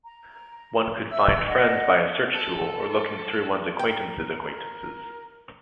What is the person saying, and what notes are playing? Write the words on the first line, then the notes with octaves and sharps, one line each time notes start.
One could find friends by a search tool or looking through one's acquaintances' acquaintances.
A#5
E5 E6
D5 D#5 F#5
A4
A#4 G5